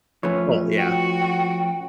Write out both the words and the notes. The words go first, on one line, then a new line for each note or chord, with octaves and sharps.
Oh, yeah.
F3 A3 C#4 B4 C#5
F#4 G5